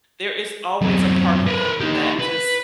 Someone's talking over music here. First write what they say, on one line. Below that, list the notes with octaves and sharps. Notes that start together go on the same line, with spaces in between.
there is always a part of him that just
F#2 C4
A#4 B4
D#4 G4
B4